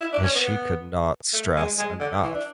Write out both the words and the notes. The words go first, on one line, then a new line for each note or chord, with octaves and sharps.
and she could not stress enough,
E4
D4
C#4
B3
B3
A3
G#3
G#3
D3
E3
D4